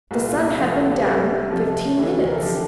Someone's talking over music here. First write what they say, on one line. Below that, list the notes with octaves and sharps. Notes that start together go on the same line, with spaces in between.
The sun had been down fifteen minutes!
C2 A#2 A3
F4
E4
D2 C3 F3 A3 F4
F4
A4
G4
C2 C3 G3 A4
F2 C3 F3 A3
D2 C3 E3 A3
A#4
A4
D3 F3 G4